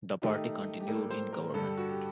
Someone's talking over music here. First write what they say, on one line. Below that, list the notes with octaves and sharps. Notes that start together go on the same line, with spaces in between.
The party continued in government.
D#3 A3 D#4 G4
G4
A2 G3 A#3 A4
C5
A#4
G2 D3 G3 A4
G4
F#4
G4